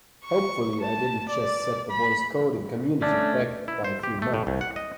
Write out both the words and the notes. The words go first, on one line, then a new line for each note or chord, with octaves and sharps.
Hopefully I didn't just set the voice coding community back by a few months!
C#6
A5
D5
B5
A3 C#4 D4
E4
C5
G4
A3
A2
C2
F#5
D#5